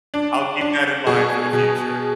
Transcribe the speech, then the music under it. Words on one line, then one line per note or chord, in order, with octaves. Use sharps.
I'll keep that in mind for the future.
D4
D4
B2 G#4
B2